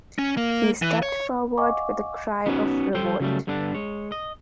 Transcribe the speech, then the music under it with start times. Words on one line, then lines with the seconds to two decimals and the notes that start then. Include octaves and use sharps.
He stepped forward with a cry of revolt.
0.19 C#4
0.37 A#3
0.82 E3
1.03 C#5
1.58 D#5 F5 F#5 G#5 C#6 D6
2.46 B3 C#4 D#4 F#4 B4 C#5
2.95 G3 A4 C5 C#5 G5
3.20 C#3 F#3 G3 A3
3.47 G2 D3 B3 D4
3.75 G#3 C#5
4.12 D#5